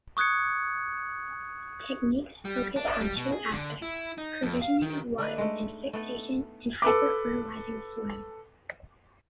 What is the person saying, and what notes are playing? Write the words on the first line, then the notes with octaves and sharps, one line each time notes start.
Techniques focus on two aspects: provisioning of water, and fixation and hyper-fertilizing soil.
C#6 D#6 F#6 G#6 C#7
G3
D4
G3
B2
G#4
D3
E4
D#4
F2
F5
D#3
D3 D4 D#4 B4
G#3 A3
A3 B3 A4
A4 B4 D6